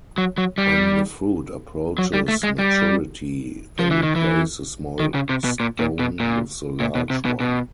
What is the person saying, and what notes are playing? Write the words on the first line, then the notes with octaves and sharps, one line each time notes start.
When the fruit approaches maturity, they replace the small stone with the large one.
F#3
F#3
G3
F#3
G3
A3
G#3
G3
F3
E3
D#3
E3
D#3
C#3
C3
B2
A#2
A#2
B2
A#2
A#2
B2
C3
B2
B2